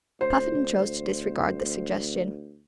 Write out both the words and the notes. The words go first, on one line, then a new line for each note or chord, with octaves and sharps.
Puffin chose to disregard this suggestion.
D2 C5